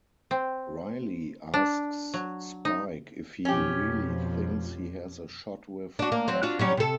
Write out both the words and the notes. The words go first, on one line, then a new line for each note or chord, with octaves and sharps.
Riley asks Spike if he really thinks he has a shot with Buffy.
C4
D4
F#3
D#4
F2 B2 F3 C#4 G4
D4 F#4
A#3
F#3 C4
D4 F4 F#4
F#3 G3 C#4
C3 A4